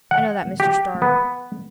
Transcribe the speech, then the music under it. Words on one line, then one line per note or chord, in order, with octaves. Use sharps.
"I know that, Mr. Starr."
F#5
G4
B3